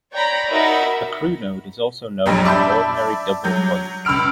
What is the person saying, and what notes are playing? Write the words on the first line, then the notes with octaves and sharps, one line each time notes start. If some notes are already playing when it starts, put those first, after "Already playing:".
A crunode is also known as an "ordinary double point".
C#5 D5 G5 A#5 B5
D#4 F#4 A#4 D5 E5 B5
A#1 F2 G#2 F#3 G3
D5 E5 A5 B5 G6
F#3 G6
C#2 B5 E6 F6 D7